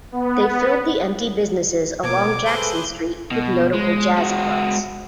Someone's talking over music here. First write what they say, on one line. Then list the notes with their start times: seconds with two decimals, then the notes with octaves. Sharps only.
They filled the empty businesses along Jackson Street with notable jazz clubs.
0.12 B3
2.03 B2 A#3 D6 G#6
2.46 G#4 A4 B4 C5 G7
3.32 B2
3.74 G#3
4.17 G#3 F#4